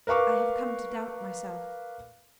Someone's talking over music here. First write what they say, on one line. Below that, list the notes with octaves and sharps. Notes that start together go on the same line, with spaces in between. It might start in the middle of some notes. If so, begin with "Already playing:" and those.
I have come to doubt myself.
A#4 B4 F5 C#6 D6